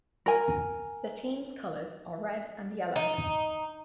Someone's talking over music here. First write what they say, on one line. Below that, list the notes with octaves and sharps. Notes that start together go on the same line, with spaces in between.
The team's colors are red and yellow.
A#4 G#5
D#4